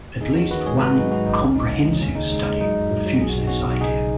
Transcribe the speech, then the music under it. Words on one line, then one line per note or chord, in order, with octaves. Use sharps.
At least one comprehensive study refutes this idea.
D#2 D#4 G#4
D#3 C#4 F#4
D#3 F#4 B4
G#3 G#4 C#5
G#2 F#4 B4
F#3 D#4 G#4
G#2 C#4 F#4
G#1 D#4
C#2 C#4
C#2 D#4
C#2
C#2
D#2 C#4
C#3 D#4
G#3 D#4
G#3
F#3 D#4
F#2
F#3
F#3
B1 G#4
F#4
B1 D#4
B2 C#4 F#4
B1 F#4
C#3 D#4 G#4